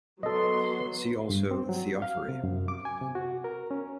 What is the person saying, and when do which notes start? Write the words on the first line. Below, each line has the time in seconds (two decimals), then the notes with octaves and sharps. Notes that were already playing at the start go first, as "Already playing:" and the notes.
See also Theophory.
0.23 F#3 B3 A4 D#5 C6
1.30 G2
1.51 C4
1.69 F#3
2.02 F5
2.28 C3
2.44 F#2
2.68 D6
2.85 G#5
3.01 C3
3.15 F#4
3.44 A#4
3.71 C#4